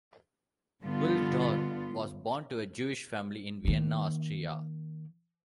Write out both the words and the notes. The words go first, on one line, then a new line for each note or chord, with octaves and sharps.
Bluhdorn was born to a Jewish family in Vienna, Austria.
G2 D3 B3 F4
D#3 A#3